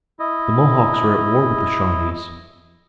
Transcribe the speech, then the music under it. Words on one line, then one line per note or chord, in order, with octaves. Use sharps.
The Mohawks are at war with the Shawnees.
E4 D#5